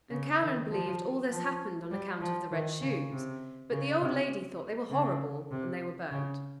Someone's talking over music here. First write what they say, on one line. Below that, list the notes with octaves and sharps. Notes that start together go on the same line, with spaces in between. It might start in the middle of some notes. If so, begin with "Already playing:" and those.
And Karen believed all this happened on account of the red shoes, but the old lady thought they were horrible, and they were burnt.
C#3
D#3
F3
F3
G3
F3
D#3
C#3
C3
C#3
C3
C#3
C3
C#3